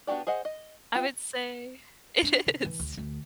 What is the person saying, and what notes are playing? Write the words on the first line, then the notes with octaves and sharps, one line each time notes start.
I would say it is
B3 D4 F#4 G4 D5
G#4 C5 D#5 F#5
D#5
C4 F4 G4
D4
D3
E3
D2
D2